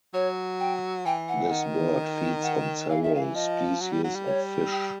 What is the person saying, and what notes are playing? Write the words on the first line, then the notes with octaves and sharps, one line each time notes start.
This bird feeds on several species of fish.
F#3 C#5
G5
E3 G5
F#5
D#3
F#5
E3 F5
D#3 E5
F5
E3
F3 D#5
F#3
G3
F#3
G3
C#5
G5